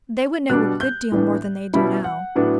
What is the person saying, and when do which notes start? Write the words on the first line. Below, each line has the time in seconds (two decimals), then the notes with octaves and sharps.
They would know a good deal more than they do now.
0.50 B2 G3 D4 F#6
0.81 G6
1.12 A2 E3 B3 D4
1.74 B2 G3 C#4 E4 B5
2.04 F#5
2.35 A2 F#3 B3 D4